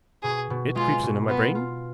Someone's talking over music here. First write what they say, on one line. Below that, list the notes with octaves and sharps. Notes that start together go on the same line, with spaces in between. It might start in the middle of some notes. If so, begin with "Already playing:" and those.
"It creeps into my brain."
B2 G#4
B2
G#3 F4
B2
B3 F4
F4